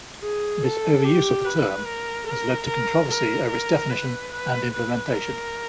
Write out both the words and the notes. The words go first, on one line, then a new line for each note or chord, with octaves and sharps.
This overuse of the term has led to controversy over its definition and implementation.
G#4
A4
G4
B4
A#4
A#4
A#4
A#4
A#4
B4
B4
B4
A#4